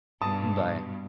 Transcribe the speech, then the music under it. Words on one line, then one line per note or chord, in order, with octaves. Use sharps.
Mm bye.
G2 B2 A5 D#6